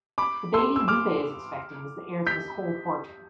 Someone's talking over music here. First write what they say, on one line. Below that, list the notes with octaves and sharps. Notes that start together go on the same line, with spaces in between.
The baby Lupe is expecting is the heir to this whole fortune.
B5 D6
C6 E6
E6
D6 F6
G6 B6